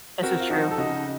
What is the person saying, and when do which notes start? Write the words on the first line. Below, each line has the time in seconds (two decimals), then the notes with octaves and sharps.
This is true.
0.23 C4 F#4 A#4
0.40 F4
0.50 F3 D#4 F#4
0.71 A4
0.77 C#3 D#4 F#4